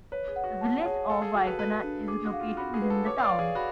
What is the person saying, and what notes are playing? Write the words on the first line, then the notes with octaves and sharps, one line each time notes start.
The Village of Wyocena is located within the town.
B4 C#5
G#4
F#5
F#4
A5
G#4 C#5
A4 F5
G#4
F#4
B4
A4 B4
D4
G#4 D6
F#4
F5
F4
F#4 B5
G#4
B4
A4
C#5 D6
F5
D5
F5
G#4
F#4 B5